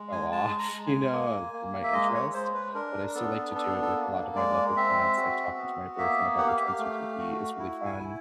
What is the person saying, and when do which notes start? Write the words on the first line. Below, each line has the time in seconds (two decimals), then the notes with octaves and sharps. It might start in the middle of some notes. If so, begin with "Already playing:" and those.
fell off, you know, of my interest, but I still like to do it with a lot of my local plants, like talking to my boyfriend about which ones you can eat is really fun,
Already playing: G#3
0.12 G#5
0.32 G#3 A5
0.59 A#5
0.72 G#3
0.87 G#5
1.12 A#3
1.53 A#3
1.83 E5
1.93 G#3 D#5
2.14 C#5
2.34 G#3 C5
2.54 B4
2.74 D4 A#4
3.15 B3 A4
3.55 D4 A4
3.82 A4
3.96 A#3
4.35 G#3 D5
4.77 C4 E5
5.17 F#4
5.57 B3
5.98 A#3 E5
6.38 G4 F#5
6.48 F5
6.57 E5
6.67 F5
6.79 A3
7.19 F#4
7.59 E4
7.85 G#5
7.99 E4